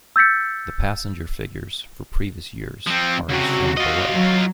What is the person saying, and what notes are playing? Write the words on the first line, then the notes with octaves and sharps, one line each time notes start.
The passenger figures for previous years are as shown below.
E6 G6 A6 B6 C#7
F3 C4
C#2 C3 F#4
F4 D#5
F#3